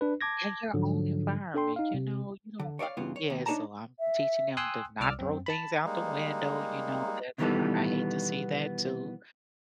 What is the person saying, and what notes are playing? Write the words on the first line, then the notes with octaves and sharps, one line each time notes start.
In your own environment, you know, you don't wanna yeah, so I'm teaching them to not throw things out the window, you know, that's not I hate to see that too.
D4 B4
A5 D6 G#6 A#6
G#2 D3 F3 F#3
D4 A4 G5 C6
D#4 F5
C3
D3
C#5 D5 E5 F5
G2 C#3 E3 B3 F4
C#5
D#2
D4 D#4 G#4 C#5 A5 A#5
E5
G5 G#5 C6 D#6 E6 F#6
C2 D5 D6 E6 F6
F#2 C4
A5 B5
G3 G#3 A#3 D#4
B2 D#3 E3 G3 B3 A4